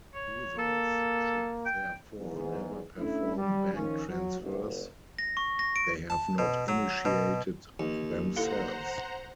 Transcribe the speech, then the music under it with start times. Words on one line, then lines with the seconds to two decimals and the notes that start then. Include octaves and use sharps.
Users should therefore never perform bank transfers they have not initiated themselves.
0.15 C#5
0.58 A#3 A4
1.65 G5
2.18 E2 G#2
2.98 A3 C#4 D4 E4
3.36 G3
3.74 D#3 F3 C#4
4.10 F#3
4.40 F#1 C2
5.19 A#6
5.37 C#6
5.59 A#6
5.76 D7
6.10 A5
6.38 B2
6.68 F#3
7.05 B2
7.80 D#2
8.36 E4 A4 C5 F5 F#5 A#5